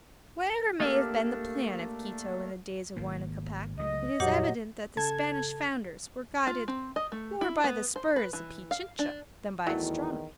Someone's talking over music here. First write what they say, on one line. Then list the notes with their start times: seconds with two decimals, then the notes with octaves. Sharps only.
Whatever may have been the plan of Quito in the days of Huayna-Capac, it is evident that the Spanish founders were guided more by the spurs of Pichincha than by astronomy.
0.80 A3 A#3 D4 G4 A4 A#4
2.96 G#1 D#3 A#3
3.79 C#2 F#3 A3 D#5
4.20 F2 A#2 F#3 G3 G4 F#5
4.97 C#3 A4 A5 G#6
6.47 F4
6.68 C4
6.96 D#5
7.12 A3
7.41 E4
7.64 B3
7.96 C5
8.16 B4
8.33 E3
8.71 F5
8.99 D4
9.67 E2 D#3 F#3 A3 E4